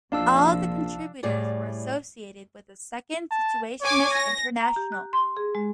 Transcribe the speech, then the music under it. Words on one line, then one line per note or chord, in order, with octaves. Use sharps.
All of the contributors were associated with the "Second Situationist International".
A#1 C3 F3 D4 F5 A5 E6
A2 G3 G#4 D5
A5
C#5 G#5 D6
A#6
A#5
G4
F#6
C6
G#4
G#3